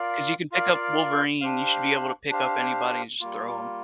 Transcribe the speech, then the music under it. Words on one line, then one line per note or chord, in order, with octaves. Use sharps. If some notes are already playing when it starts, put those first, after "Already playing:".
'cause you can pick up Wolverine, you should be able to pick up anybody and just throw 'em.
Already playing: F4 A#4 D5 F5
F4 A#4 D5 F5
D4 G4 C5 F5
D4 G4 C5 F5
G3 A#3 F4